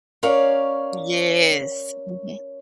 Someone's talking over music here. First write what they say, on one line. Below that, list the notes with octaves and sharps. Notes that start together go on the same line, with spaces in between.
Yes. Mhm.
C#4 A#4 C#5 D5 F5 G#5